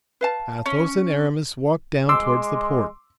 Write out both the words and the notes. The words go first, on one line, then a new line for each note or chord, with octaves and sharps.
Athos and Aramis walked down toward the port.
B4 F5 A5
C#4
G#3 C6 D6 E6